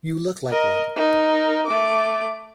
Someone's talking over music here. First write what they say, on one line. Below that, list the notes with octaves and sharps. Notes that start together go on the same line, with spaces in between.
You look like one.
A#4 D#5
D#4 A#4
A3 D6